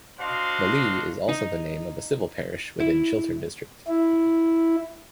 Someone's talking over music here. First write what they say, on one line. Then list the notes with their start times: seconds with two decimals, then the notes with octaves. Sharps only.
The Lee is also the name of a civil parish within Chiltern District.
0.20 D4 F#4 C5 D#5 F5 C6
1.29 D#4
2.80 E4
3.88 E4